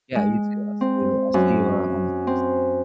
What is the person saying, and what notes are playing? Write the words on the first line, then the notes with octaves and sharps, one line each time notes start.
Yeah, you too, I'll see you I'll see you, uh, on the flip side.
G#3
C4
F#2
C4